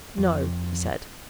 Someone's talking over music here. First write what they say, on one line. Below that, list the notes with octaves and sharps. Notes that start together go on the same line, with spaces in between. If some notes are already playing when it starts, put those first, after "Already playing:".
"No," he said.
F2